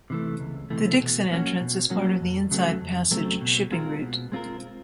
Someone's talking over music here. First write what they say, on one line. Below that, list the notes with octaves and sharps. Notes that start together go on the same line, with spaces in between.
The Dixon Entrance is part of the Inside Passage shipping route.
C3 E3 A3
C#2
C3 E3 A3
B2
F#3 A#3 C#4 F#4
B2
F#3 A#3 C#4 F#4
F2
C#3 F#3 A3 C4
F2
C#3 F#3 A3 C4
B2
G#3 C4 F4 A#4
B2
G#3 C4 F4 A#4